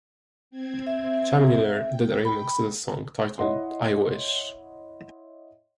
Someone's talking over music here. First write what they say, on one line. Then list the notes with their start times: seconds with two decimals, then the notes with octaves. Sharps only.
Chamillionaire did a remix to this song titled "I Wish".
0.51 C4 G#6
0.87 E5
1.84 G5
2.25 B5
3.38 E4 C#5 D#5 F#5 C6